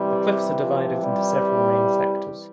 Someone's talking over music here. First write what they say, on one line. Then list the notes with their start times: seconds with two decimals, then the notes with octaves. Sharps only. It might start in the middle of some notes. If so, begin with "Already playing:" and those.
The cliffs are divided into several main sectors.
Already playing: C3 E3 G3
0.57 F3
1.00 G3